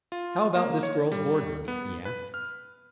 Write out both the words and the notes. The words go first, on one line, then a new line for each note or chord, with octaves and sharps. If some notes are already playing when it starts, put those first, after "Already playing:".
"How about this girl's board money?" he asked.
F4
A#3
C#5
G3
B3
B4
F6